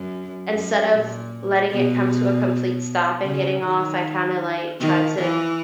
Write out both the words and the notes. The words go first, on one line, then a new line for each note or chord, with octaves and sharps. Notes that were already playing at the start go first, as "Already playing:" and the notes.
instead of letting it come to a complete stop and getting off, I kinda, like, tried to
Already playing: F#2
F#2
A#2
B2
C#3
D#3
D#3
E3